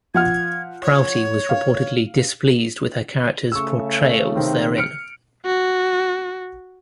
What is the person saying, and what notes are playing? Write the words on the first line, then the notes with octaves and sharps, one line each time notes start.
Prouty was reportedly displeased with her characters' portrayals therein.
F3 F#5 F6 G#6
C#5
F5
C#3 A3 C#6 E6
C3 D#3 C4
F6 C#7 D7
F#4